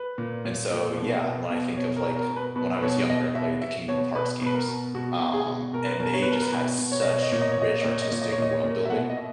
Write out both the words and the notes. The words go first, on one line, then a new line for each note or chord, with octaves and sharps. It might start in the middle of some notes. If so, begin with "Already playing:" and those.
and so, yeah, when I think of like, when I was younger, I played the Kingdom of Hearts games, um, and they just had such rich artistic world building,
Already playing: B4
A#2
A#2
A#2
B2
B2
B2
B2 C#5
A#4
B2
A#4
B2
B4
B2 B4
B4
B2 C#5
B2 D#5
B2 E5
B2 E5
B2 C#5
B2 B4
B2 B4
A#4
B2
B2 F#4
B2
G#4
B2
B2 A#4
B4
B2 A#4
C#5
B2 B4
A#4
B4
B2 B4
B2
C#5
B2 D#5
C#5
D#5
A#2 C#5
D#5
C#5
A#2 D#5
C#5
A#2 D#5
C#5
D#5
A#2 C#5
D#5
C#5
A#2 D#5
C#5
A#2
E5
B2 F#5
D#5
B2 E5